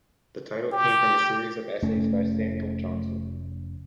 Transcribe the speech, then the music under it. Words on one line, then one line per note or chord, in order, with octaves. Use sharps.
The title came from a series of essays by Samuel Johnson.
G4
F1 A3 C#4